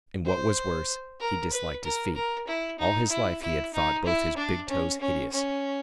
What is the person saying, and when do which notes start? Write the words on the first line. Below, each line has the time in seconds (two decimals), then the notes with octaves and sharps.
And what was worse, he disliked his feet. All his life he had thought both his big toes hideous.
0.25 C5
1.20 A#4
1.52 B4
1.84 A#4
2.15 A#4
2.47 E4
2.79 D#4
3.10 E4
3.42 E4
3.74 D#4
4.05 E4
4.37 D4
4.69 C#4
5.00 C#4
5.32 C#4